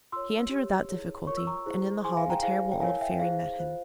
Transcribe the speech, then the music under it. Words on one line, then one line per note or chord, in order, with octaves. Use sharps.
He entered without difficulty, and in the hall the terrible old Fairy met him.
F4 A#4 C#5 C6 E6
G4 C#5
E4 G#4 C#5
F4 A#4 C#5 C#6
E6
A#5 C#6
E4 G#4 C5
E4 G#4 C5 G#5 C6
F5 G#5
G5 A#5
E4 G#4 C5 F5 G#5
G5
E4 A#4 C#5 F5 G#5
E5 G5
E4 G#4 C5 F5
F4 C5